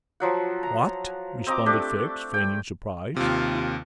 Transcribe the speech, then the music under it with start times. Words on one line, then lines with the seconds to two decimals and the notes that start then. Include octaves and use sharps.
"What!" responded Fix, feigning surprise.
0.20 F3 F#3 F#5
0.63 A#5
1.47 C4 D#5 A#5 D6
1.66 A3 D4 G4
2.34 G5
3.16 D#2 C3 F4